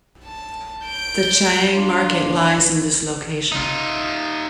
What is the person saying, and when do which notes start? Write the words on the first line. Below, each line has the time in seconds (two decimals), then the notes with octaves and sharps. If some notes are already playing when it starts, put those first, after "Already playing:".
The Chang'an Market lies in this location.
0.25 A5
0.86 G6 D7
1.72 D4 F4
3.52 D#4 F4